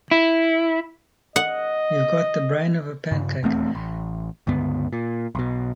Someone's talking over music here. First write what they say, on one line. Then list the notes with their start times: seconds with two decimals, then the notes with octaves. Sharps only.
You've got the brain of a pancake.
0.11 E4
1.36 D#5 F#5
3.11 G2 C#3
3.43 D#1 E2 A3 C4
3.75 A1
4.47 C#2 G2 D3 B3
4.93 A#2
5.35 B1 B2